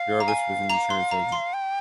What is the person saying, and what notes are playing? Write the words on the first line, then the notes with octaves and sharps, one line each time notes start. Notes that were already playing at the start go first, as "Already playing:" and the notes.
Jarvis was an insurance agent.
Already playing: F5
A#5
G#5
A#5
C6
A#5
C6
G5